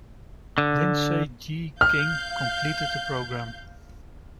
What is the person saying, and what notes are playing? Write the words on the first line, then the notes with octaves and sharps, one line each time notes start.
Lindsay G. King, completed the program.
D3
F5 F6 G6